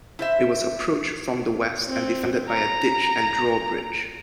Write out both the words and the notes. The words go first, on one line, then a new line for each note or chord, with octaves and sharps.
It was approached from the west and defended by a ditch and drawbridge.
E4 C5 E5
C4
A#5